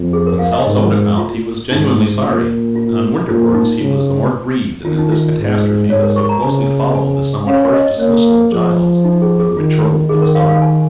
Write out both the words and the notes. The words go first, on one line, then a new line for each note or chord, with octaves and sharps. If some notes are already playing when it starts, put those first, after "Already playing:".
On South's own account he was genuinely sorry; and on Winterborne's he was the more grieved in that this catastrophe had so closely followed the somewhat harsh dismissal of Giles as the betrothed of his daughter.
Already playing: F2
G#4
A#4
F5
D#5
G#2 A#4
F4
G#2 D#4
A#2 F4
F4
A#2 F4
D#4
C#3
D#3 F4
D#4
F4
G#2
G#2 C#5
A#4
C#6
A#5
C#3 G#5
G#5
C#4 F5
D#5
A#3 C#5
F3 G#4
D#4
G#4
G#4
D#3 F4
D#3 G#4
A#4
F5
F5
G#5